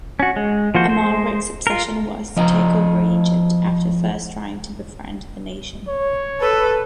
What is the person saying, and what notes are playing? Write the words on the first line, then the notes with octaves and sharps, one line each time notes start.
Amalric's obsession was to take over Egypt, after first trying to befriend the nation.
C#4 F#4
G#3
F3 A#3 F#4 C5
G#3 C5
F4 A#4
F3 D#5 G5 A#5
C#5
A4 B4